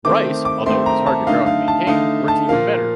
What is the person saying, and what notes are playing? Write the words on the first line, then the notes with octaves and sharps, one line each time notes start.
Rice, although it is hard to grow and maintain, works even better.
D#3 A3 C4 D6
D6
D#3 A3 C4 C6
A#5
A5
D3 A3 D#4 F5
F5
A5
D3 A3 D#4 F5
A5
A#2 F3 A#3 F5